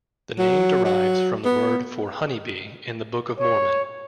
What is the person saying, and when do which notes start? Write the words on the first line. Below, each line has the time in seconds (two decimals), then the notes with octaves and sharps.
The name derives from the word for "honeybee" in the Book of Mormon.
0.39 F#3
0.85 F#3
1.45 B3
3.38 C#5